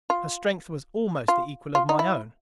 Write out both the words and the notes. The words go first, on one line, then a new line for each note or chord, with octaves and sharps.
Her strength was almost the equal of my own.
F4
F4
F4
D#4
E4